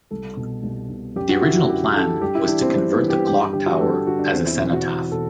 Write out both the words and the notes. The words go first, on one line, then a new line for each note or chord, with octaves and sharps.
The original plan was to convert the clock tower as a cenotaph.
C2 A4
B2
C2
B2
F#2 G4
F#4
D3 E4
F#4
F#2 G4
D3 A4
G2 G4
E4
E3 D4
C4
G2 C4
B3
E3
G4
G2 G4
G4
D3 G4
F#4
G2 A4
D3 F#4
D4
E2 C4
E4
B2 E4
F#4
E2
B2 A4